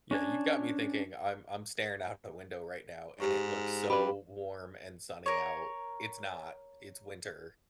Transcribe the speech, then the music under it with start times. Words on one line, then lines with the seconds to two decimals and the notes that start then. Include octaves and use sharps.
Yeah, you've got me thinking I'm I'm staring out the window, right now, and it looks so warm, and sunny out. It's not. It's winter,
0.11 C#4 D4 G#5
3.20 G#2 G4 C#6
3.90 F#2 G4 B4 B5
5.26 A#4 C#5